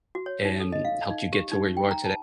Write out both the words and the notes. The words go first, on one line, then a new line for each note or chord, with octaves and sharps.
em, helped you get to where you are today
F#4
C#5
D#4
A4
D#5
F5
D#4
G4
D#4
G5
A#5
A5